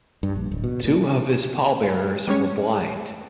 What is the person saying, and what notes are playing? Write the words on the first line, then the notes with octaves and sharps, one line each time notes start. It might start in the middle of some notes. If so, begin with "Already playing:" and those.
Two of his pallbearers were blind.
G2
A#1
D1
B2
A#2
G3 G#3 C#4 C#5